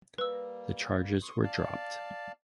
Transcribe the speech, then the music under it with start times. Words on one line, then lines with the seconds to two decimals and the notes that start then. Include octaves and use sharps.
The charges were dropped.
0.18 G3 A#3 B4 E6
1.22 C6 C#6 D#6
1.43 D5 F5 A5